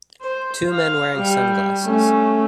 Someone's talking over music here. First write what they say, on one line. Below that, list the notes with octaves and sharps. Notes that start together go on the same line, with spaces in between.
Two men wearing sunglasses.
C5
F5
G3
A3 C#4